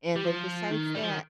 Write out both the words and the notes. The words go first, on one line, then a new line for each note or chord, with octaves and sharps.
And then besides that,
G3
F3
D#3
G3
F3
D#3